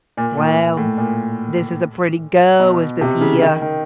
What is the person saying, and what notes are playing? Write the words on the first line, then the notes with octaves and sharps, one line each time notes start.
'Well, this is a pretty go, is this here!
A#2
A#2
A#2
A2
A#2
B2
C3
C#3
D#3
D#3